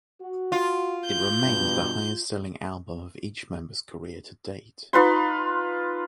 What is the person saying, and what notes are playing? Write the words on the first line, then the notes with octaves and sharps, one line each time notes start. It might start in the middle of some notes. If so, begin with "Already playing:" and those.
It remains the highest-selling album of each member's career to date.
F#4
F4
G6
G2 B2
D#4 F4 B4 C6